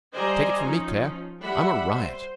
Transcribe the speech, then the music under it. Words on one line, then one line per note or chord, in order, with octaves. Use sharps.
Take it from me, Claire, I'm a riot.
G3 C5 D5 D#5 G#5 A#5
F3 C#4 D#4
G3 E5 F#5 B5
C5